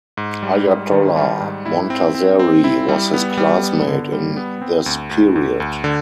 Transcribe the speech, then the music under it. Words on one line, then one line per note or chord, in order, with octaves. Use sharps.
Ayatollah Montazeri was his classmate in this period.
G#2
G3
G#2
D#3
G3
G#2
E4
C4
C4
C4
E4
G3
B3
G3
B3
D3
G3
B3
C4
D2
D2
D2
D2
D3